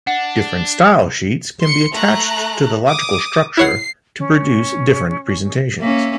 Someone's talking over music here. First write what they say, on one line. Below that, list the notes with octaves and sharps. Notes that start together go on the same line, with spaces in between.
Different style sheets can be attached to the logical structure to produce different presentations.
D4 F#5
C6 C#7
A3 A#5 F#6
D6 D#6
E4 C#5 F#5 C7
C#4
A#3 C#4 E5